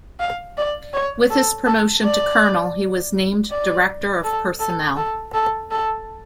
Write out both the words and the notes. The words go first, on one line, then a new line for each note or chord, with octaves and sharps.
With his promotion to colonel, he was named director of personnel.
F5
D5
C#5
A4
A4
D5
D5
A4
A4
A4
A4
A4